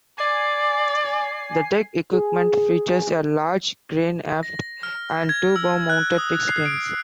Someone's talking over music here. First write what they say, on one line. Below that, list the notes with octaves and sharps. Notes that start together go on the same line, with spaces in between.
The deck equipment features a large crane aft and two bow-mounted fixed cranes.
D5 G#5 C7
G#4
A#6
F6
G#6
E6
F#6
D#6
C7
D7